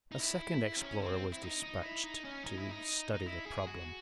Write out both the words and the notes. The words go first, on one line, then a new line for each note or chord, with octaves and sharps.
A second explorer was dispatched to study the problem.
D#4
E4
C4
C#4
C4
E4
D#4
D#4
E4
D#4
C#4
D#4
E4
D#4
D#4
E4
G#4
F#4